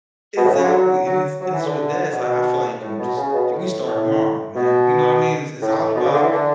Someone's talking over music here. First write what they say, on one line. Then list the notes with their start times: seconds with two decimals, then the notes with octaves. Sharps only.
Exactly, and this and this is what dad's like, I feel like you can just you can start tomorrow, man, you know what I mean? It's it's all about
0.37 B2
0.45 A2
0.54 C#3
0.63 D3
0.71 F#3
1.06 F#3
1.41 F#3
1.52 E3
1.65 D3
2.12 B2
2.81 A2
2.99 B2
3.16 C#3
3.33 B2
3.51 A2
3.86 A2
4.55 B2
5.61 A2
5.95 B2
6.04 C#3
6.13 D3
6.22 E3
6.30 D3